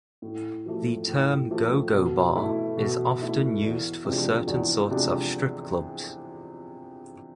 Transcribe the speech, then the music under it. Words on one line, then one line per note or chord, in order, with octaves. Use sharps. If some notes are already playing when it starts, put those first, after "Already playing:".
The term go-go bar is often used for certain sorts of strip clubs.
A2
F3 A3
A2
F3 A3
B2
A3 E4
B2
A3 E4
E2
C3 F3 G#3 D4
E2
C3 F3 G#3 D4